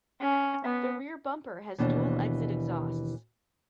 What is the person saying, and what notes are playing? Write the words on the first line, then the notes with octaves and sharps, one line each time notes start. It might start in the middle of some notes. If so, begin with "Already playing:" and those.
The rear bumper has dual exit exhausts.
C#4
B3
D#2 B2 E3 D4